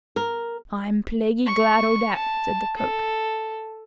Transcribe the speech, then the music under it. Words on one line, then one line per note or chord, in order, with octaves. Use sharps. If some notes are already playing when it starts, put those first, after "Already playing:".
"I'm plaguy glad o' dat," said the cook.
A#4
C#6
A5
A4